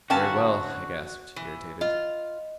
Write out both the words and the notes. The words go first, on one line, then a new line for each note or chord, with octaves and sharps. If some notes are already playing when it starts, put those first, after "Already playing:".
"Very well," I gasped, irritated.
D3 A#3 C#4 D#4 F#4 G5 A5
E3
F4 D#5